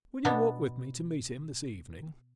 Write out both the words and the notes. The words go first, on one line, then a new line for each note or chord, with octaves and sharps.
"Will you walk with me to meet him this evening?"
B2 B3 D4